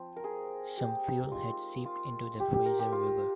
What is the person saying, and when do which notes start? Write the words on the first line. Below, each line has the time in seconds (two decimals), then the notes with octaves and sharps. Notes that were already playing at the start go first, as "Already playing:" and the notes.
Some fuel had seeped into the Fraser River.
Already playing: F3 C4
0.16 A#4
0.24 G#4
0.77 G4
1.32 G#3 D#4 F4
1.85 F4
2.40 G4
2.53 G4
2.66 A#4
2.79 G4
2.92 F4